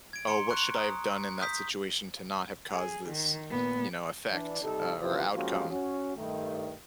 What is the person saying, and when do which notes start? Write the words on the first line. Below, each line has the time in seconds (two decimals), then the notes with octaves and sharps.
"Oh, what should I have done in that situation to not have caused this, you know, effect, uh, or outcome?"
0.13 G#6 D7
0.27 A#5 C6 C#7 D7 G7
0.47 C#6 F#6
0.74 A#5 D#6
1.42 D#6 G6 B6
2.73 G#4
3.09 D#3
3.50 A#2 B3
4.29 E3 D4
4.61 C3 G3 D#4 A4
4.99 F#2 C3 F3 A#3 E4 B4
5.34 F3 G#3 A#3 C#4 F#4 G4
5.68 C#4 F#4
6.15 G2 D#3 A3